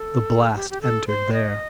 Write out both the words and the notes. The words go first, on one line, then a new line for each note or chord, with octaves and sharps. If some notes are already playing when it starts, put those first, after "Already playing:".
The blast entered there.
Already playing: A4
G4
G4
A4
C5
D#5